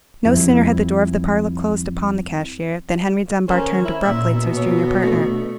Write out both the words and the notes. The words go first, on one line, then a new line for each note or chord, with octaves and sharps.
No sooner had the door of the parlour closed upon the cashier than Henry Dunbar turned abruptly to his junior partner.
F2 F3 G3 C4 E4
D#3 C#4 A#4 C5
E4
A#2 D5 E5
B2
D#2 C#5
A3 D4